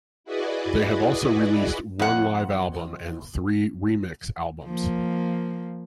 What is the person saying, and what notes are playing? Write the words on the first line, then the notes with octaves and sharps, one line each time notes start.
They have also released one live album and three remix albums.
E4 F#4 G#4 B4 D5 D#5
F2 F#5
F3 A#3